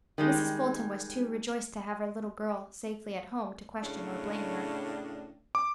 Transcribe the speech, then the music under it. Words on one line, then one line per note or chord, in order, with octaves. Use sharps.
Mrs. Fulton was too rejoiced to have her little girl safely at home to question or blame her.
D#3 G3 G#3
A2 C#3 D4
D6